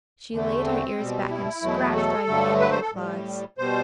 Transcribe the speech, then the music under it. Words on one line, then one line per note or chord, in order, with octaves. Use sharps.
She laid her ears back and scratched Raggedy Ann with her claws.
E2 D3 A3
C4
B2 G3
E4
E2 B2 F#3 A3
A4
G2 D3 F#3 A3
B4
C5
A4
A2 G3
B2 G3 C5